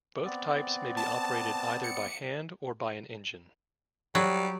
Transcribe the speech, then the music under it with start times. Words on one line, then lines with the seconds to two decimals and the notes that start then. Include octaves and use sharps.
Both types may be operated either by hand or by an engine.
0.25 B3 C4 D5
0.97 A5
1.84 C#7
4.15 F#3 G3